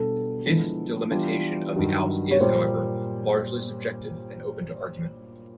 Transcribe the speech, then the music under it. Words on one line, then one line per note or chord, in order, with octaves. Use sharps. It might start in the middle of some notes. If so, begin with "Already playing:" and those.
This delimitation of the Alps is, however, largely subjective and open to argument.
Already playing: B2 G3 B3 D4 A4
D3 F3 G#3 B3 E4
E3 G3 B3 D4 F4
G2 D#3 F#3
C#5
A#2 G3 A#3 C5